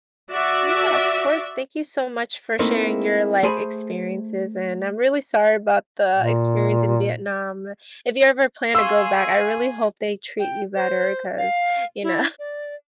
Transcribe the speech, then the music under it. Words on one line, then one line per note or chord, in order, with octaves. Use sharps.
Yeah, of course, thank you so much for sharing your, like, experiences, and I'm really sorry about the experience in Vietnam. If you ever plan to go back, I really hope they treat you better 'cause, you know
F#4 D5 E5
A3 A#3 C4 D#4 E4
A3 G#4 C5 G#5 B5
A#2
G#4 F5 G#5 C6 C#6 E6
G5
C5
F5
E4
D5